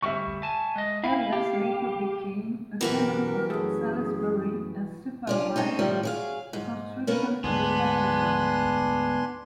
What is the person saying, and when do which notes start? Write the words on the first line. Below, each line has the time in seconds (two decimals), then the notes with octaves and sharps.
Elias later became a canon of Salisbury and supervised the construction of the cathedral.
0.02 D2 G3 E5 C#6
0.43 G#5 A5
0.76 G#3 D#5
1.04 E4 F5 B5
1.33 G4
2.81 F#2 B2 E3 F#4 G4 A#4
3.50 F#2 A3 G#4
5.27 C#4 D4 F4
5.56 C4 C#4 D#4
5.79 A2 D#3 F3 G3
6.03 F#3 G#4 F5
6.53 G#2
7.07 A#3 B3 C#4
7.44 D2 G#2 B3 D4 G#5 C6